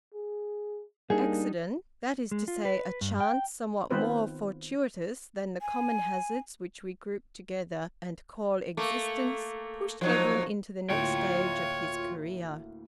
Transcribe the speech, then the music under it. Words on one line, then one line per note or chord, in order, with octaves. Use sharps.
Accident--that is to say, a chance somewhat more fortuitous than the common hazards which we group together and call existence--pushed Edwin into the next stage of his career.
G#4
G3 A#3 D4 D#4 G#4
G#3
F4
B4
G2
G5
D#3 B3 C4 F4 B4 C5
G#5
A3 A#3
F3 F#3 D#4
D2 A2 A#3 F4 C#5 G5